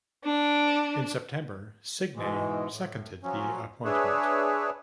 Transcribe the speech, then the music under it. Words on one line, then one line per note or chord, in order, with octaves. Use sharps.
In September, Signay seconded the appointment.
D4
G#2 B2 E3 G#3
A2
F3 F#3 C#4
D4 G#4 B4 C#5 E5